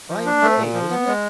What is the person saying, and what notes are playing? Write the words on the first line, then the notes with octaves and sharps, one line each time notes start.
"Fine day, isn't it?"
F3
D4
A3
A#2
F3
B3
G#3